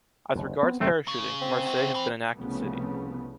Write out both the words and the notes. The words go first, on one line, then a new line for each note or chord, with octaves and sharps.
As regards parachuting, Marseille has been an active city.
F#1 D#2
B3 C4
G1 C2 F#2 G3 A3 C4
C#3
C4
E4 F#4
E3
C2 C#3 F3 A3 B3